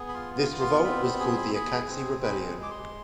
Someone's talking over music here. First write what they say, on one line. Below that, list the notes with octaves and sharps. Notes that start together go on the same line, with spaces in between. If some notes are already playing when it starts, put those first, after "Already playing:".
This revolt was called the Acaxee Rebellion.
Already playing: B3 G#4
B5
F4 C6
C6
B3
C6
C4 B5
G#4
G#4
C4
G#4 B5
G#3 D6
C6